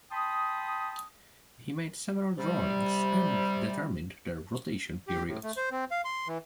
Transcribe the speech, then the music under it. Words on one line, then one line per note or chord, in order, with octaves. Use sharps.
He made several drawings and determined their rotation periods.
G5 A5 B5 C6 D#6
C3 G3
G4
A2
A3
C5
C4
F5
C6
E3